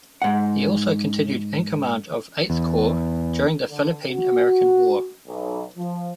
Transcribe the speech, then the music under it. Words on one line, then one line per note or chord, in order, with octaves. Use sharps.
He also continued in command of Eighth Corps during the Philippine-American War.
G#2 F#5
E2
D3
F#4
B1
F3